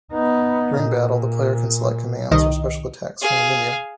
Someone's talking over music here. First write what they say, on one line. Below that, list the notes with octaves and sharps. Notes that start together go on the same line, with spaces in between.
During battle the player can select commands or special attacks from a menu.
B3 D#4
A#2
C2 D#3 D#5
G#4 F5